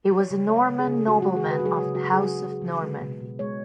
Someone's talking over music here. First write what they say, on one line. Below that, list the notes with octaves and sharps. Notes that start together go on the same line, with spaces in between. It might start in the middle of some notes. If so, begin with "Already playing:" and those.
He was a Norman nobleman of the House of Normandy.
F#3
C#5
C#3
G#3 C#5
C#3
G#4
C#3
G#3 F#4
G#3 F#4
G#4
C#3 B4
F#4
F#3 G#4
C#3
F#4
C#3
G#4
F#3 F#4
F#3
G#4
C#3
G#3 B4
B2
B2
G#3 C#5